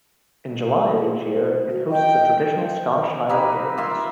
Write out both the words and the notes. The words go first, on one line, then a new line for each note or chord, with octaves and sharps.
In July of each year it hosts a traditional Scottish Highland Games.
G#4
C5
F#4
D#5 G5
A#3 C4 D#4 B4
A#3 F4 E5 C6